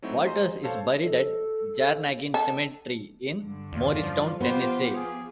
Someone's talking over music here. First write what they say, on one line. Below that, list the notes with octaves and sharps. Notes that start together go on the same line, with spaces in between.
Walters is buried at Jarrnagin Cemetery in Morristown, Tennessee.
F#3 A3 C4 D#4 E4 F#4
G#4 C5 D#5 A#5 C6
A4 C5 C#5 F5 A5
A4
A4
G2 D3
E2 C#4 F4 D5
F3
B3 F4 G4 B4 C5
G#4